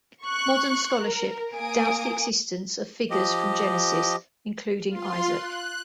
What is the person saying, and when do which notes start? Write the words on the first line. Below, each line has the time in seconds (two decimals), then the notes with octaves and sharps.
Modern scholarship doubts the existence of figures from Genesis, including Isaac.
0.24 C#6 F#6
1.02 A#4
1.55 A#3 G#5 D#6 D7
3.10 F3 G4 D#5
4.89 F4 C6
5.27 F#6